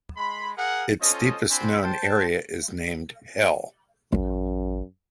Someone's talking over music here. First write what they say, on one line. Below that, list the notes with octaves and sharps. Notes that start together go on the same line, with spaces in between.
Its deepest known area is named "Hell".
G#3 B5 C6
G#4 A#4 F5 F#5
C#4 F4 A4 C5 D#5
C4 D4 F4 C5 G#5 B5
C5 G5 A5
A1 F#2